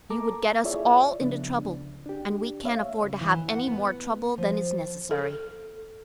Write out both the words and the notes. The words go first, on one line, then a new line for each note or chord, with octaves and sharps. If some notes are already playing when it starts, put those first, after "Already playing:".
You would get us all into trouble, and we can't afford to have any more trouble than is necessary.
A#3 A4 A#4 A#5 D6
E4 F4 G#4 C#5 D5 E5
C#3 F3 B3 D4
C#2
D4 G4
A#3 C#5 E5 F5
C#3
E3
F#5
B3
F3
A4